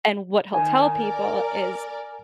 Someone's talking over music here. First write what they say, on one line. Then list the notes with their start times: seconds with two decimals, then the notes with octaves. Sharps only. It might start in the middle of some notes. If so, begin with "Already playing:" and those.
and what he'll tell people is,
0.54 D#3 G#5
0.94 A#4 D5